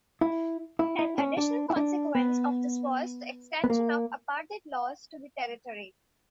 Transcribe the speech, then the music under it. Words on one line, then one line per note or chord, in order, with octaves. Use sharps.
An additional consequence of this was the extension of apartheid laws to the territory.
E4
E4
E4
C#4
D4
E4
D4
B3
B3
A#3